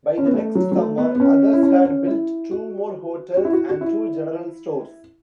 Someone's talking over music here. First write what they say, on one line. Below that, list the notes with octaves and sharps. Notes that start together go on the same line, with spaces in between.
By the next summer others had built two more hotels and two general stores.
C#4
B3
A3
F#3
F#3
A3
B3
B3
C#4
E4
C#4
C#4
E4
F#4
F#4
E4
F#4
F#4
E4